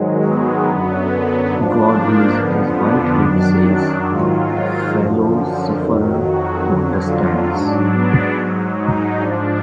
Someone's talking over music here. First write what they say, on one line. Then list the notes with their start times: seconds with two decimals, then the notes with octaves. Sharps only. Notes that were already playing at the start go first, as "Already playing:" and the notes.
God is, as Whitehead says, "the fellow sufferer who understands."
Already playing: G#2 D#3 F#3 G#3
0.25 B3
0.68 F#2 D3 F#3 B3
1.54 G#2 F3 D4
1.96 A#3
2.39 F2 D3 F3 B3
2.81 D4
3.24 F#2 D#3 F#3 D4
4.09 G#2 D#3 F#3 F4
4.95 F#2 D3 F3
5.80 F2 D#3 F#3
6.22 F#4
6.65 F2 D3 F#3
7.08 F4
7.50 G#2 F#3 D4
7.93 B3
8.35 G#2 F#3
8.79 D#4
9.20 G#2 F3 D4